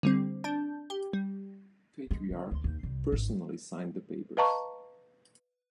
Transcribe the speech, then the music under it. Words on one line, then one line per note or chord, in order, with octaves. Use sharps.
Patriarch personally signed the papers.
D3 G3 C4
D4 A5 G6
G4
G3
G#3
C#3
D2
D#2
C2
G#1
B4 D#5 F5 A5 A#5 C#6